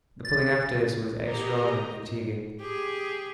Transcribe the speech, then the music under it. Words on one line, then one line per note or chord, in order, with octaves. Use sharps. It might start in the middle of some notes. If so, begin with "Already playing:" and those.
The pulling after this was extraordinarily fatiguing.
A6
B2 G4 A#4 D#5 A#5
G4 G#4